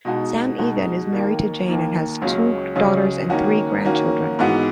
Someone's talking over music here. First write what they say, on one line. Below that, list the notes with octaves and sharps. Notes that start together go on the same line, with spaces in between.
Sam Egan is married to Jane and has two daughters and three grandchildren.
B2 G#3 D#4 F#4
B2 G#3 D#4 F#4
D#2 D#3 A#3
D#2 D#3 A#3
C#2 C#3 F#3 C#4
C#2 C#3 F#3 C#4
D#3 A#3 C#4 F#4
D#3 A#3 C#4 F#4
G#2 E3 B3 F#4